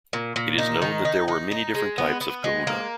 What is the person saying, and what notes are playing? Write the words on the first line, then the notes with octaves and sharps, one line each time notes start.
It is known that there were many different types of kahuna.
A#2
A#2
D#4
D#3
D#4
D#4
D#4
G#3
B3
B3
G#3
A#3